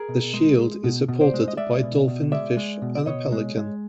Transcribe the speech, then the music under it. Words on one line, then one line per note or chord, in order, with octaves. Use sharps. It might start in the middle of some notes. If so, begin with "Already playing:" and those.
The shield is supported by a dolphin fish and a pelican.
Already playing: G#4 A#4
B2
G#3
G#3
B2
B2
C5 D5
G#3
D#5
G#3 D5 E5
B2
B2
G#3 D5 E5
G#3
B2
D5
B2 C#5 D#5
G#3
G#3